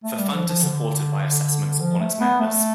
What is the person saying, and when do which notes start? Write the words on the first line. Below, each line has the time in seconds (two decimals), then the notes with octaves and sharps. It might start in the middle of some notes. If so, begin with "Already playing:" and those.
The fund is supported by assessments upon its members.
0.04 A3
0.18 G3
0.33 F3
0.48 F3
0.63 D3
1.81 F3
2.00 A3
2.21 B3
2.40 A3